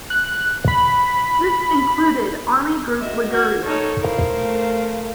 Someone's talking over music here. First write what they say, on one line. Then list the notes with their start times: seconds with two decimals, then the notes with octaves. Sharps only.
This included Army Group Liguria.
0.10 F#6
0.68 B5
3.00 F#4 D#5 E5
3.32 F#4 G#6
3.64 D#4 A4 C#5 C#6
3.99 E4 A#4 C5 F5
4.34 A3